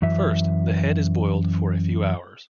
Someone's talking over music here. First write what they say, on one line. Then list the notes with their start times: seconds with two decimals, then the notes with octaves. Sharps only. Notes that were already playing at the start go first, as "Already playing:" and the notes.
First, the head is boiled for a few hours.
0.02 F#2 E3 E5